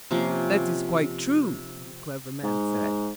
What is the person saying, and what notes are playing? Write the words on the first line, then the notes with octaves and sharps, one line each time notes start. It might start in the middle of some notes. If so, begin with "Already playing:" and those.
"That is quite true," the clever man said.
C3 F3 A#3 C#4
G#2